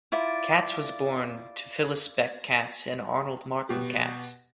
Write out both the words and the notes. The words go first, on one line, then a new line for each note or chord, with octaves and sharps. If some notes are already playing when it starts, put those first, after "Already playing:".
Katz was born to Phyllis Beck Katz and Arnold Martin Katz.
E4 F4 D5
B2 G4